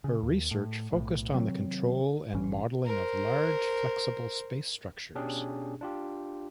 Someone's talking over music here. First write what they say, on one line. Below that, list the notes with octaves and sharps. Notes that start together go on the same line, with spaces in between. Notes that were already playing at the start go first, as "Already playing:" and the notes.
Her research focused on the control and modeling of large, flexible space structures.
C#3
D#2
A2
B1 A2
C3 D#3 F#3 C4
A1 G2 E3 C#4
A#4 C5
B2 C#4 D4 G4 G#4
D4 F4 G4